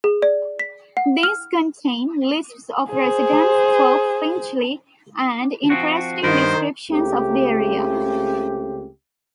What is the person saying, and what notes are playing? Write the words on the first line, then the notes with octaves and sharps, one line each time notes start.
These contain lists of residents for Finchley and interesting descriptions of the area.
G#4
D5
B6
F#5
F6
G#4 C5
F3 C4 F#4
G2 D#3 B3 A#4 C5
C#2 C#3 A3 C4 G4